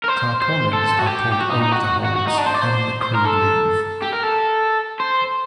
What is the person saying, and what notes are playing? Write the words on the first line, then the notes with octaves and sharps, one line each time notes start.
Tarpaulins are pulled over the holds and the crew leave.
A#4
C5
C5
A4
F#4
G4
G4
F#4
D#4
D#4
F#4
F#4
F#4
D#4
D4
C5
D5
C5
C5
A#4
A4
G4
A#4
A4
C5